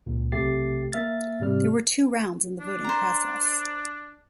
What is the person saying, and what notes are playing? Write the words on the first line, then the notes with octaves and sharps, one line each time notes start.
There were two rounds in the voting process.
C#2 A#2
B1 C3 A3 G4 A6 C7
A#3 E5 F6 A6
G#2 C3 G3 F6
D4
C5 A#5